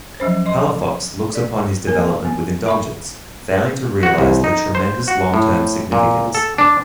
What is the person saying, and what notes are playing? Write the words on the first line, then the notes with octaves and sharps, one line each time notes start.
Palafox looks upon this development with indulgence, failing to realize the tremendous long-term significance.
F3 F#3 C#4 C5
D#5 C6
D5
A#3 A#4
B3
E5 B5 C#6
F#4
C2
D#4
C5
F#4
A2
A#2
A4
D4